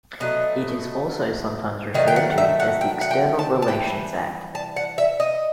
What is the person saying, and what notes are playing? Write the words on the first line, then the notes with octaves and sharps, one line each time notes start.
It is also sometimes referred to as the External Relations Act.
B2 F#3 A3 D#5
D#3 F#3 A3 D#5
G5
F#5
E5
F#5
G5
F#5
G5
A5
A5
E3 G3 G5
A5
F#5
E5
D#5